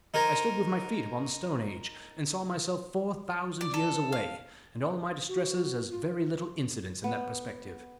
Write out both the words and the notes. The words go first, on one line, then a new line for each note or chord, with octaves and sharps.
I stood with my feet upon the Stone Age and saw myself four thousand years away, and all my distresses as very little incidents in that perspective.
D#4 A#4 C5 G#5 A#5
D5
A4
F5
F#4
F4
B3